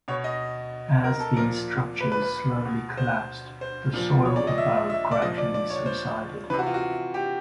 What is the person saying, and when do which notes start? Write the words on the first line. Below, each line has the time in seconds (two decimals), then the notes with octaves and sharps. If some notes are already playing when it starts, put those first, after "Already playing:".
As these structures slowly collapsed, the soil above gradually subsided.
0.08 B2 C#5
0.24 D#5
1.04 A#4
1.20 A4
1.37 A#2 F3 A#4
2.01 B4
2.12 B4
2.22 B4
2.66 B2
2.97 C5
3.61 C5
3.94 A#2 F3
4.25 C#5
4.36 D5
4.47 D#5
4.58 E5
4.90 E5
5.11 D5
5.22 A#2 F3 D#5
5.38 D5
5.54 D5
5.70 C#5
5.86 C5
6.50 C3 E3 B4
6.59 F#4
6.67 F4
6.74 F#4
7.14 G4